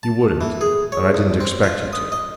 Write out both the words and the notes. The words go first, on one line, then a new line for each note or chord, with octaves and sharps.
You wouldn't, and I didn't expect you to.
A5
E3
G#4
C#5
C2
C4
F4
D#6
D#5